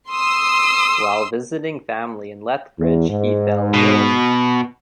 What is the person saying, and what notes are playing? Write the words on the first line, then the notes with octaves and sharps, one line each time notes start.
While visiting family in Lethbridge he fell ill.
C6 D#6 E6
E2
G#2
B2